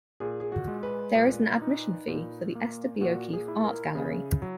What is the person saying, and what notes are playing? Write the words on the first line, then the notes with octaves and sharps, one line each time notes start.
There is an admission fee for the Esther B. O'Keeffe Art Gallery.
A#2 G#4
G#4
F#4
G#3
B4
A#2
D#4
A#2
A#3
A#2 F#4
G#4
E4
A#4
C#3 G#4
F#3